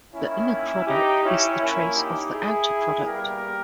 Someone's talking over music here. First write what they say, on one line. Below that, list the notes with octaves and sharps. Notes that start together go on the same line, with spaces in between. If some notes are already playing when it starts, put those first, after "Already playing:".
The inner product is the trace of the outer product.
D#3 A#3 C#4 E4
D#4 G4
C#4 E4
A#2 A#3 C#4 E4
D#4 G4
E4 G#4
B2 G3 A#3 G4 A#4